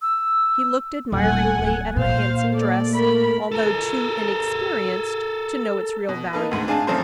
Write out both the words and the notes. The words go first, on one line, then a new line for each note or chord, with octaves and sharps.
He looked admiringly at her handsome dress, although too inexperienced to know its real value.
E6
D#1 A4 F#5 G#5
D1
A#2 C5 F5
A4 D5
A3 A#4 B5
A4 A#4
B2
A#3 D#4 A4 B4
D2 G#2
C4 D4 G#4 F5 G#5 A5
F3 F#3 A3 C4 C#4 C5